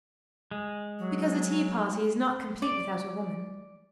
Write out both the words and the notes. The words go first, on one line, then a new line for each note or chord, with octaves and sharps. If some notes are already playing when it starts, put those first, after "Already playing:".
"Because a tea-party is not complete without a woman."
G#3
F#3
D5